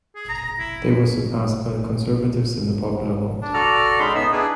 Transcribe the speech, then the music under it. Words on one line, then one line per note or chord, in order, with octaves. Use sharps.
They were surpassed by the Conservatives in the popular vote.
G#4
A#5
E4
D4
F#4 A4 D5 A#5 F6
G#3 C#4 D#4 B5 C6
B3 D#4 E5 E6
D4 E4 G#4 B4